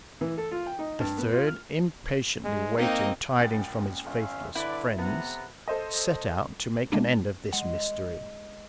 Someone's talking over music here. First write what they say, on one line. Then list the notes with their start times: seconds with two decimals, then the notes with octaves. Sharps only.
The third, impatiently waiting tidings from his faithless friends, set out to make an end of this mystery.
0.21 E3
0.38 A4
0.51 F4
0.66 G5
0.79 D#4
1.00 G2
1.18 B3
1.32 F4
1.47 F6
2.45 G#3
2.78 A#3 C4 D#4 D#5
3.39 C#2 A#2 A6
4.06 G1 C#4 E5 F5
4.55 D3 E4 B4 D5
4.98 C3 B3 A4 F#5 A#5
5.68 A4 C5 D#5
6.92 G#3 A#3 D4
7.53 G#3 F#5